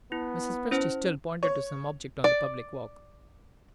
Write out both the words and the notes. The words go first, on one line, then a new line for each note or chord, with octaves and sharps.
Mrs. Presty still pointed to some object on the public walk.
B3 E4
C#4 E4 C5
C#5
D5